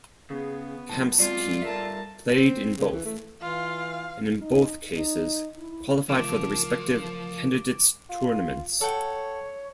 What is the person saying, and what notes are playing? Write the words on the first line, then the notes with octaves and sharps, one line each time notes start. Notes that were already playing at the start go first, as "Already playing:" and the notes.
Kamsky played in both, and in both cases qualified for the respective Candidates Tournaments.
C#3 B3 G#4
A2 F3 A5
F#3 G#3 C4 F4 D5
G2 A4 A#4 E5 A5
C4
C#3
E3
A3
E3 F4 F5
D#4
D#4
E4
C#3 E3 F3 A3 A#4 D6 D7 E7
F4
A4 C#5 F#5 G5